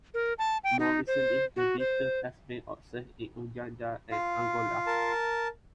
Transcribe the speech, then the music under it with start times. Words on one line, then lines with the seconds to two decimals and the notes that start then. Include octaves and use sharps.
More recently the beetle has been observed in Uganda and Angola.
0.14 A#4
0.39 A5
0.64 G5
0.79 D#4
1.07 C5
1.56 F#4
1.79 C5
4.12 F4 F5
4.87 A#4 A5